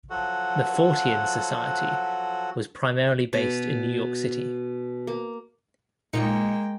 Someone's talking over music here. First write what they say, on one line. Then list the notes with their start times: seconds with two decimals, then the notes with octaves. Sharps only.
The Fortean Society was primarily based in New York City.
0.10 F3 F#3 F#4 A4 F#5
3.33 B2
5.07 A#3
6.13 A#2 G#3 A#3 D#4 G5 C#7